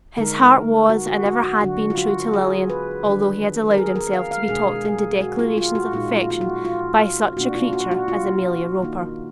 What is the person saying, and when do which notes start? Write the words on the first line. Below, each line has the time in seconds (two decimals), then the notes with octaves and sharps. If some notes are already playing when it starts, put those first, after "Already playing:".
His heart was and ever had been true to Lilian, although he had allowed himself to be talked into declarations of affection by such a creature as Amelia Roper.
0.17 D3 G#3 D#4 A#4
0.89 F#4
1.07 F#4
1.26 F#4
1.43 F#4
1.61 D3 F#3 D4 F#4
1.90 F4
1.98 F#4
2.33 G#4
2.70 B4
3.06 D#3 F#3 D4
3.71 A#4
3.78 G#4
3.96 A#4
4.14 F5
4.31 F5
4.49 B2 G#3 D4 G#4
4.85 G#4
5.21 F#4
5.39 F4
5.58 F4
5.75 F#4
5.93 A#2 G#3 D#4 F4
6.17 F4
6.30 F4
6.41 F#4
6.65 F4
7.37 B2 A#3 D4 F#4
7.55 F4
7.73 F#4
7.91 F#4
8.08 F4
8.81 D#3 A#3 D#4